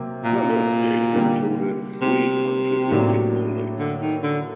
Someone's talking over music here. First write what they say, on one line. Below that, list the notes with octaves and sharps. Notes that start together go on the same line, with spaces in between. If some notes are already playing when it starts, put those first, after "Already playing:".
The listing included three contributing buildings.
Already playing: C3 F#3 A#3
A#2
D3 G3 A#3
C3
A2 F#3 A#3 D4
D3
D#3
D3